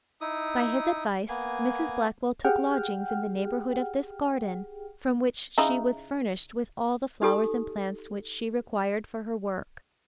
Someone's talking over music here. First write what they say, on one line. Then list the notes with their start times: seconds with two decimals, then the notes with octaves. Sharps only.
By his advice Mrs Blackwell took lodgings in the neighbourhood of this garden, from which she was furnished with all the flowers and plants which she required for her work.
0.21 D#4 E4 D#6
1.29 A#3 B3 G#5
2.45 G4 G#4 F#5 G5 F6
5.58 C#3 D#4 E4
7.22 D#4 G4 A4 D#6